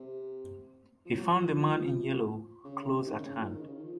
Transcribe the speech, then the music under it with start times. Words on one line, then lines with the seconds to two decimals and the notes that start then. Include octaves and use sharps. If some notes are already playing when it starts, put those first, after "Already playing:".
He found the man in yellow close at hand.
Already playing: C3
1.05 F3
1.15 F#3
1.24 F3
2.64 C#3
2.83 C#3
2.91 C3
3.06 D#3
3.18 C#3
3.38 F3
3.44 D#3
3.62 C#3
3.73 D#3
3.84 F3